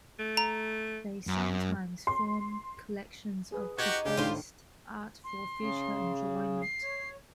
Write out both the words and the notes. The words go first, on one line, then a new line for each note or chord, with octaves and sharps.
They sometimes form collections of defaced art for future enjoyment.
A3
A#5
F#2
C6
G#4 B4
D#4 F#4 G4 F#5 G#6
C#3 D4 G4
A2 D#3 D4 D#4 F4 C5
C6
C#3
C7
C#5